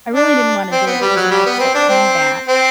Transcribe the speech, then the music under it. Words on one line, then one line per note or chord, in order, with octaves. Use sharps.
I really didn't wanna do it, it was an ex that came back
D4
C4
B3
G3
F#3
G3
B3
C4
D4
C4
C4